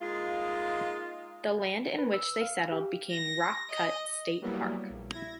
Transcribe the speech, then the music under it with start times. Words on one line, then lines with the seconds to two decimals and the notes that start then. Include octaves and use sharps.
The land in which they settled became Rock Cut State Park.
0.02 G#3 A#3 D#4 F4
1.99 B4
2.13 E6
2.42 F5
2.72 G4
3.11 A#6
3.71 D#5
4.41 F#3 G3 A#3 B3 E4
4.90 A#1
5.10 E4 G#6 A#6